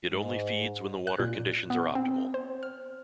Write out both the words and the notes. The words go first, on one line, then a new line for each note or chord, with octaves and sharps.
It only feeds when the water conditions are optimal.
G#2
F#6
A#2
B3
C4
C5
F6